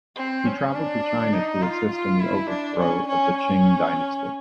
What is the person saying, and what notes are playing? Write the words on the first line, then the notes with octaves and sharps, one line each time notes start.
He traveled to China to assist in the overthrow of the Qing dynasty.
C4
C#4
D4
D#4
F4
F4
E4
D4
C#4
C#4
C#4